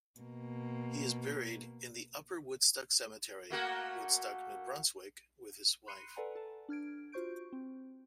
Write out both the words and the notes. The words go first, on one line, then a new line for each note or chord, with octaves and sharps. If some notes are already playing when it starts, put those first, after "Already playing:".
He is buried in the Upper Woodstock Cemetery, Woodstock, New Brunswick with his wife.
B2 A#3
A3 A#3 F#4
B5 C6 F#6 C7 C#7 D#7
A4 B4 D5 F#5 G#5 A#5
A4 A5
D4 F6 G#6 D7
F4 F#4 C5 C#6 G6 D7
C4